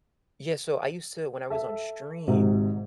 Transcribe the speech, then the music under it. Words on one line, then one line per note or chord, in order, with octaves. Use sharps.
Yeah, so I used to when I was on stream,
A4 E5
G#1 G#2 C3